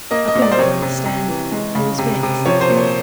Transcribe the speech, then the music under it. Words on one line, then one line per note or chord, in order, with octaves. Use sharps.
I could not understand, and was vexed.
A#3 D#5
D#5
A#2
D5
C5
C3 C#5
C3
C3
E3
G#3
C#3
C3
C3
F3 C#5
C5
A#2
C#5